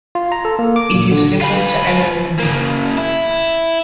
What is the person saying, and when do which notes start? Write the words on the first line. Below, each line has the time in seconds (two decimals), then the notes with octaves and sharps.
It is similar to "Anno Mundi".
0.15 F4
0.32 A#5
0.45 A4
0.59 A#3
0.76 D6
0.94 A#2
1.11 D3
1.41 F4 B4
2.39 C#3 A#3
2.97 E4